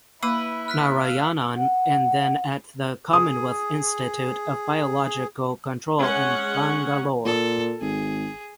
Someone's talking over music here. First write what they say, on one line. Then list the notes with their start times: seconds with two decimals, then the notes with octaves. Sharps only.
Narayanan and then at the Commonwealth Institute of Biological Control in Bangalore.
0.23 A#3 E4 B4 E6
0.68 F6 F#6 B6
1.01 F5
1.57 F#5
3.13 G#4 D#6
5.99 G#3 C#4 F#5
7.26 A#2 A4
7.81 G#1 G#4